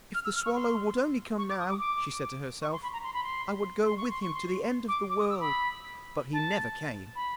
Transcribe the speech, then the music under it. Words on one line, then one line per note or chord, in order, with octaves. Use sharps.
'If the swallow would only come now,' she said to herself, 'I would go with him to the end of the world.' But he never came!
F6
E6
F6
C#6
C6
C#6
D6
D#6
D6
D6
C#6
C6
B5
A#5
C6
B5
C6
C6
C#6
C6
C#6
C6
D6
D6
D#6
E6
B5
A5
B5